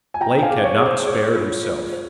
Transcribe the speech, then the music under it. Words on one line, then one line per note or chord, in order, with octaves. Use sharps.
Blake had not spared himself.
G#5
F4 G5 A#5
G5
F5 G#5
G#4
C#5
G#4
C5
G#4 C#5
F4
F4
C5